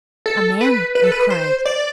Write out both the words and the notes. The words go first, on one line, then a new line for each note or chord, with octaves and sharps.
"A man?" I cried.
A4
B4
B4
A4
B4
C5
D5